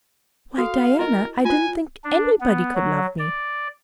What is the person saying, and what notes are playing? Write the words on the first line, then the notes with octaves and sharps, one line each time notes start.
Why, Diana, I didn't think anybody could love me.
F#4 A4 F5
E4 A#4 D#5
F4 C5 G#5
D4
B3
F#3
D5